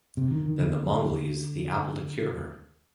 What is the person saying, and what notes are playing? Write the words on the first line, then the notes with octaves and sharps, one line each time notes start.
Then the Mongol uses the apple to cure her.
C3
D#3
D#3
D3